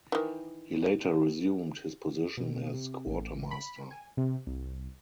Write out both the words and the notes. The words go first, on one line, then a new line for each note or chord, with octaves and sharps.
He later resumed his position as quartermaster.
D#3 E3
B2
C3
A1
B5
G#5
C3
C2